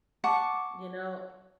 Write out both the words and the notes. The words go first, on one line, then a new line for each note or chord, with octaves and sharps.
You know
F#5 A5 C#6 D6